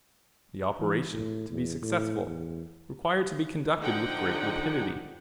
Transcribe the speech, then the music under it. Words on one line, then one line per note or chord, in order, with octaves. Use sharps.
The operation, to be successful, required to be conducted with great rapidity.
E3
A2
E2
A2
E2
D3 F3 D#4 F#5 G5